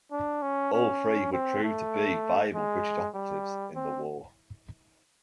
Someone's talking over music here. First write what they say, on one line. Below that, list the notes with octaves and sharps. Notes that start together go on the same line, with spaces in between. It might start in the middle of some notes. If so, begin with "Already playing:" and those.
All three would prove to be valuable British operatives in the war.
D4
C#4
C#4
C4
A3
G#3
G3
C4